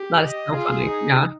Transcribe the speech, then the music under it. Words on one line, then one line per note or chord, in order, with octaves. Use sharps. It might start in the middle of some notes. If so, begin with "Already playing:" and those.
That is so funny, yeah.
Already playing: G4
D#5
F4 G#4
D#4